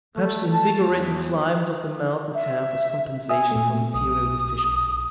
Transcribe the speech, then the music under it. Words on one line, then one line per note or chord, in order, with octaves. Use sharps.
Perhaps the invigorating climate of the mountain camp was compensation for material deficiencies.
A3
A5
E2
E5
E5 G#5 D#6
A#2 A3
B1 D#6